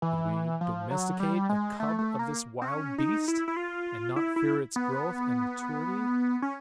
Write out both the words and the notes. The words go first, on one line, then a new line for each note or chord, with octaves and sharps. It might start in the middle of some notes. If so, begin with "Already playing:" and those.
Could we domesticate a cub of this wild beast, and not fear its growth and maturity?
E3
F3
F#3
G3
G#3
A3
A3
A#3
C4
C#4
D#4
E4
E4
F4
E4
E4
B3
C#4